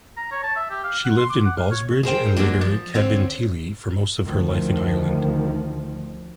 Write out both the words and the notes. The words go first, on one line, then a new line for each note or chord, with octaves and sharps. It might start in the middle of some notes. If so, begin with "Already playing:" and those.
She lived in Ballsbridge and later Cabinteely for most of her life in Ireland.
A#5
C#5
A5
E5
G4
F5
F#5
C6
D6
F#5
F5
C#5
G#4 A#4 C5 G5
C#3 F#3 G#3 A#3 D4
F3
D3 C4 C#5
D2 D#3 F3